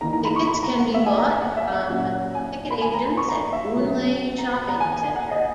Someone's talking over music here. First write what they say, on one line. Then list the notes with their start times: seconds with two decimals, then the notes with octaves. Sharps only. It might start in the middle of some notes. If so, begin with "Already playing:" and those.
Tickets can be bought from ticket agents at Boon Lay Shopping Centre.
0.01 E3 A#3 D#4 A#5
0.13 A#5
0.25 B5
0.36 C#6
0.47 B5
0.63 A#5
0.79 F#5
0.94 E5
1.06 G#5
1.18 A#5
1.30 G#5
1.42 F#5
1.57 E5
1.73 F#5
1.88 A#2 F#3 C#4
2.35 G#5
2.71 B5
2.82 G#5
2.93 A#5
3.06 B5
3.17 C#6
3.29 A#5
3.53 E5
3.76 B2 F#3 C#4
4.38 A#5
4.53 B5
4.69 A#5
4.80 G#5
4.92 G#5
5.04 G#5
5.16 F#5
5.31 D#5